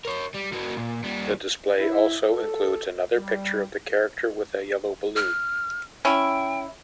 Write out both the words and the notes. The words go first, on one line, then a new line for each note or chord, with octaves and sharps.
The display also includes another picture of the character with a yellow balloon.
A#4 C#5
G3
A#3 F#4
A#2
D#2 G3
E4
A4
G3
F6
C#4 E4 G5